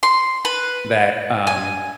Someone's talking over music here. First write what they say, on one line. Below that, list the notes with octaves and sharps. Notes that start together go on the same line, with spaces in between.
that, um
C6
B4
G#5